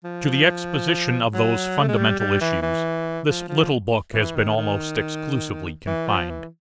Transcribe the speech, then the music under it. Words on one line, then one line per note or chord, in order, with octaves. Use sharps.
To the exposition of those fundamental issues this little book has been almost exclusively confined.
F3
F#3
A3
G#3
G3
G3
E3
E3
F3
F3
E3
D#3
D#3
E3
F3
E3